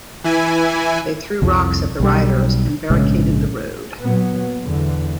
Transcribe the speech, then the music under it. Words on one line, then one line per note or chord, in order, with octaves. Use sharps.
They threw rocks at the riders, and barricaded the road.
E3 E4 G#5
C2 F2 F3
B1 G3
A#1 G#2 C#3 G#3
A#2 F#3 B3
E2 G#2 D3 E3